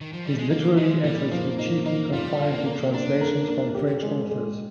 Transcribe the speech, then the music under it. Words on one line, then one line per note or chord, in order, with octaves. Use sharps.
His literary efforts were chiefly confined to translations from French authors.
D#3
F3
G3
G#3
A#3 D#4
G#3 D#4
A#2 G3
F3 A#3
A#3 D#4
A#3 D#4
G3 F4
F5
C4
A#3
A#4
A#3 D4
A#4
A#3
G4
G#3
G#3